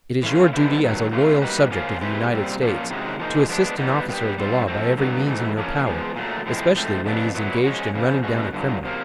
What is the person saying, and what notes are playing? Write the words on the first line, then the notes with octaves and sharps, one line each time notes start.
It is your duty, as a loyal subject of the United States, to assist an officer of the law by every means in your power, especially when he is engaged in running down a criminal.
E3 A3 C#4 F4
F2 D3 G3 B3 E4
G2 D#3 F#3
C3 E3 A3 C#4 F4
G3 A#3 D#4 F#4 B4
C#3 F3 A#3 C#4 F4
G#3 C4 E4 G4 B4
A#2 G3 C4
A#2 F3 A#3 C#4 F4
C3 D#3 G#3 C#4 F#4
F3 A#3 D#4 G#4
F3 G#3 B3 D4
E3 G3 B3 D#4
A#2 G3 B3 D4 G4
G3 C4 F4
F3 A3 C4
G2 D3 F#3 B3
G#2 E3 A3
F3 A#3 C#4
E2 C#3 F3 G#3
A#2 F#3 A3
A2 F3 G#3 C4 E4
G#2 F3 A3 C4
F2 C#3 F#3 B3 D4
A#2 F#3 B3 E4
F3 G#3 C#4 F#4
F2 C#3 F3
B2 G#3 C#4 F#4
G2 D3 F#3
C3 F3 A#3